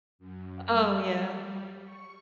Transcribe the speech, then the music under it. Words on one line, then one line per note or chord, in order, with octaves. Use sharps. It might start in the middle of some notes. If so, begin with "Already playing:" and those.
Oh yeah.
F#2
G3
C#6